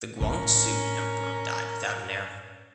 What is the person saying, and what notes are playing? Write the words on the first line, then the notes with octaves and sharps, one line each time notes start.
The Guangxu Emperor died without an heir.
A2 C#4 D4 A#4